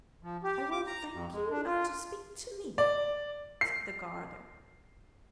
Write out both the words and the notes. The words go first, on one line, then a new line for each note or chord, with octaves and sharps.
"I will thank you not to speak to me," said the garter.
F3
G4
D6
A#5
F2
G#3
D4
F4
D5
C7